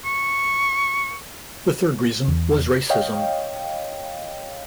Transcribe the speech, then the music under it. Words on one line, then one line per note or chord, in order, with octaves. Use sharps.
The third reason was racism.
C#6
E2
C#5 D#5 F5 G5